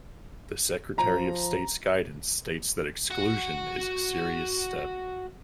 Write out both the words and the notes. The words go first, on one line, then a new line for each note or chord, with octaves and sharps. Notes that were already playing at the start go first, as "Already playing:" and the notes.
The Secretary of State's guidance states that exclusion is a serious step.
F3 A#5
F#4 F#5